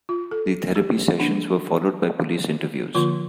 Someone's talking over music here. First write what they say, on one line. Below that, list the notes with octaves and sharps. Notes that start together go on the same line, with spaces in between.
The therapy sessions were followed by police interviews.
F4
A4
G4
F3 A#3 D4
D3 F3 A#3 F4